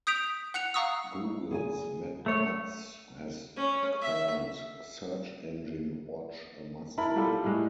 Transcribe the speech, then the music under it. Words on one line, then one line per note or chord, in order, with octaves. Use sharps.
Google's Matt Cutts has called Search Engine Watch a must read.
D#6 G6 B6 D7 F7
F#5 F#6 C#7 F7
F5 F#5 A#5 C#6 D#6 E6
G#4 G5 G#5
A3 C#5
C#4
E5
E4 A#4 A5 B5
G3 F4 A4
A2 G3 G#3